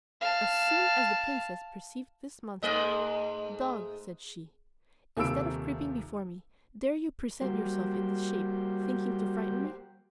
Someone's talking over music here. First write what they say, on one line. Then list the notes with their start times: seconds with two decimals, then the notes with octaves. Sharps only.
As soon as the princess perceived this monster, "Dog," said she, "instead of creeping before me, dare you present yourself in this shape, thinking to frighten me?"
0.21 F5 A5
2.62 G#2 A3 D#5
5.17 D#1 C3 D#3 A#3 E6 D7
7.41 G3 A#3 F#4 G4 C5